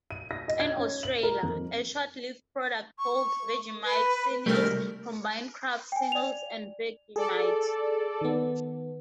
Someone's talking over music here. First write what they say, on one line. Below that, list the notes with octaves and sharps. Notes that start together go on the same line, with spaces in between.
In Australia, a short-lived product called Vegemite Singles combined Kraft Singles and Vegemite.
D#7
A#6
D#5
G#6
C#4
F#7
A#4
F2
C#6
B4
C2 G3 A3 A#4
G5 G#5
D5 F7
G#4 A4 D5
D#3 B3